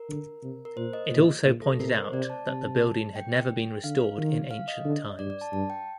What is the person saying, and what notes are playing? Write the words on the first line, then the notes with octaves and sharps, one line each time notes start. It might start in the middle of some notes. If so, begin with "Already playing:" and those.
It also pointed out that the building had never been restored in ancient times.
Already playing: A#4
D3
C3
A#4
A#2 C5
D#5
A#2
A#2
A4
C3 A#4
C5
C3 D5
A5
C3 A5
G5
D3 F5
D#3
F5
D#5
D3
G2 D5
D5
A5
G2 A5
G5